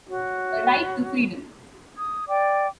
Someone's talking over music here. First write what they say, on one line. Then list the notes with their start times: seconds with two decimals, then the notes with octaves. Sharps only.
A right to freedom.
0.09 F#4 C#5
1.97 D#6 G#6
2.27 D5 G5 D6